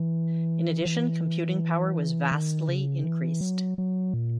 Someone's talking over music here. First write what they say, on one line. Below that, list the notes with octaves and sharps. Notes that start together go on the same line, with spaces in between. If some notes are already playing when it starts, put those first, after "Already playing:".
In addition, computing power was vastly increased.
Already playing: E3
E3
D#3
C#3
E3
F#3
F#3
A#2